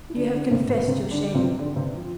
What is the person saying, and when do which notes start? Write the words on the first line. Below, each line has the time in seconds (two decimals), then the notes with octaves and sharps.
You have confessed your shame.
0.10 E4
0.15 D3 D4
0.29 C4
0.34 D3 D4
0.47 D4
0.51 C3 C4
0.69 B2 B3
0.87 C3 C4
1.11 D3 D4
1.34 C3 C4
1.58 D3 D4
1.76 C3 C4
1.94 F3